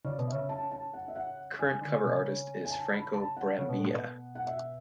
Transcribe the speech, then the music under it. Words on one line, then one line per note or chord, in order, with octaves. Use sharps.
Current cover artist is Franco Brambilla.
C#3 D5
B2
C#3 E5
A5
A5
F#5
E5
F#5
G#5
D3
C#3
B2
C#3
G#5
A5
B5
A5
F#5
C#3
B2
A2
B2
F#5
E5